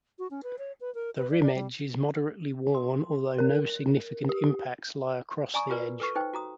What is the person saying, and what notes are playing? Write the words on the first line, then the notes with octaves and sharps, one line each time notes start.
The rim edge is moderately worn, although no significant impacts lie across the edge.
F#4
C#4
B4
C#5
B4
A#4
B4
D5
D5
G3
C6
A#4
G4
D5 G#5 A#5 C#6 D#6
F4 F#4 A#4 B4 D5
A4 B4 C#6
D#4 B4 C5 G5
F#4 A#5 D#6